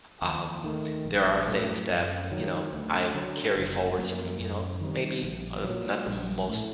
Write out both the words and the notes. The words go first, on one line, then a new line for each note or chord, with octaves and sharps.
um, there are things that, you know, I carry forward some, you know, maybe, uh, not the most
D#2
D#3 A3
A#1
A2 F#3 A3
F#2
D#3 F#3
D2
D3 F#3
F#1
F#2 F#3 A#3
F#2
D#3 G3 C4
A#1
A#2 F#3
A#1
A2 A3